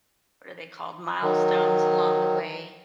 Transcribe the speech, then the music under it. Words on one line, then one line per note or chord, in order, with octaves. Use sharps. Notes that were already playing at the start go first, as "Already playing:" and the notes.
what are they called- milestones along the way
D#3 F#3